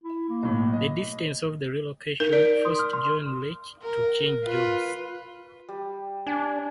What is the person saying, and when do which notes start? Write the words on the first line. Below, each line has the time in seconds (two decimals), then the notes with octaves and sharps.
The distance of the relocation forced John Lech to change jobs.
0.04 E4
0.30 A#3
0.43 B1 A2
0.73 D#5
2.20 D#4 A#4 F7
2.33 D5 G6 D7
2.65 C6 D#6
2.79 F6
2.93 C6
3.83 A#4
4.45 F4 B4
5.69 G3
6.27 D4 G#5